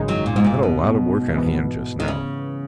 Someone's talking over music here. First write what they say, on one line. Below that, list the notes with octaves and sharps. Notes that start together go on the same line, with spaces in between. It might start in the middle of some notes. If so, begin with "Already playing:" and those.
I've got a lot of work on hand just now.
Already playing: G#1 F#2 C#3 G#3 D#4
D#3 F#3
A#2
G#2
A#2
B2
G#2 E3 B3
D#3
C#3